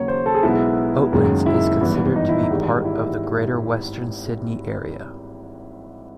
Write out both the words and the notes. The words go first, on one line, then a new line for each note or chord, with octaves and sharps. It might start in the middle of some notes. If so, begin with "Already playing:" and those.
Oatlands is considered to be part of the Greater Western Sydney area.
Already playing: D#2 C#3 F#3 A#3 C#5
C5
A4
G#4
B1 B2 G#3 B3 E4
F#1 F#2 D#3 G#3
E4
G#1 G2 E3 G3 B3
D#4
E4
D#4
G#1 G#2 D#3 G3
E4